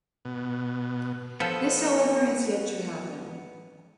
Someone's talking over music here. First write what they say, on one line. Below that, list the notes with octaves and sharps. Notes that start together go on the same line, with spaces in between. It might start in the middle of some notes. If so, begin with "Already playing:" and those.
This however has yet to happen.
B2
F3 B3 A4